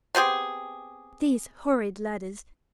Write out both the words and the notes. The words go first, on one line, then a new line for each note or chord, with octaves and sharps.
These horrid ladders.
B3 C4 G4 G#4